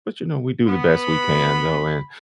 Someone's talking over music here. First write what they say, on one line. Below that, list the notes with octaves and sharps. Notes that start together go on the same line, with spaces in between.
But, you know, we do the best we can, though, and
B3 B5